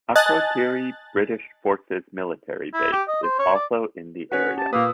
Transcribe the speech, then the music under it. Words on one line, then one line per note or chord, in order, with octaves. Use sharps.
Akrotiri British Forces Military Base is also in the area.
D#5 G#5 A5 F#6 A6
E4
G4
D#5
C5
C#5
D5
C#4 F#4 B4 C#5 F#5
G4 A5
A#2 A#3 B4 D#6 E6